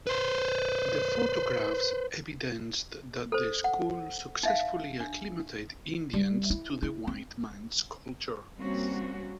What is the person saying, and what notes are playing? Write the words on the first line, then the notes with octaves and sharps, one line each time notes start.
The photographs evidenced that the school successfully acclimated Indians to the white man's culture.
B4 C5
A4 C5
F#5
D#4 E5 F5
D4
G3
E4
E4
C4
G3 A#3 C4 C#4 F#4